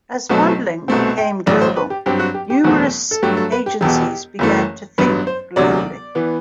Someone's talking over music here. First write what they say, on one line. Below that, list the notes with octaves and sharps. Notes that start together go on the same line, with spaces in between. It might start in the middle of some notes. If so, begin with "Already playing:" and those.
As modelling became global, numerous agencies began to think globally.
B1 B2 F#3 A3 C4
C2 B2 A3 C4
G5
A1 A2 F#3 D5
C5
B4
G4
G2 F#3 C4 G4
F#4
G4
G4
F#1 E2 B2 A3 C4 F#4
A4
G2 F#3 A3 G4
A4
B4
G4
E1 E2 B2 G4
F#1 F#2 E3 A3
A1 G2 F#3 B3 B4
C5
E1 D2 C3 F#3 D5
E3 B3